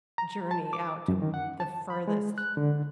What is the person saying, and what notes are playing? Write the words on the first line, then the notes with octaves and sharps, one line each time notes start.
journey out to the furthest
A#5
A5
D6
F#2
D#3
F#5
A5
B5
G#3
F#6
D3